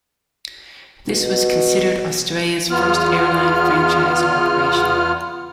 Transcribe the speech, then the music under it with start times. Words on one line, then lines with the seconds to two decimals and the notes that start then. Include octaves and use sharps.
This was considered Australia’s first airline franchise operation.
1.08 B2
2.70 E2 B3 F4 F6